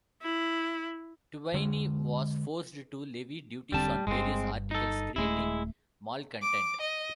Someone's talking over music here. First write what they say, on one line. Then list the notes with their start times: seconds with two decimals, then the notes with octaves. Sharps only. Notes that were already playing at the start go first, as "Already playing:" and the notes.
Thuwaini was forced to levy duties on various articles, creating malcontent.
0.22 E4
1.54 D3 G#3
3.72 E1 D3 G3 C4 A5
4.07 G1 G2 G#3 C4
4.71 D#4 A4
5.16 D#1 G#3 A3 E4
6.42 D6
6.81 D#5